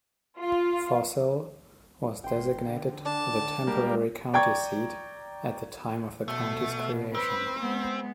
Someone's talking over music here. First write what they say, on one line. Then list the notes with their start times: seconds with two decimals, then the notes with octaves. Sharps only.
Fossil was designated the temporary county seat at the time of the county's creation.
0.38 F4
2.24 G#1 G5 C6
2.67 D3
3.05 D4 A5
3.67 G3 G#3 A#3
4.33 D5 G5 A#5 C#6 G#6
6.28 B2 A3
7.15 C4 B4
7.59 G#3 B3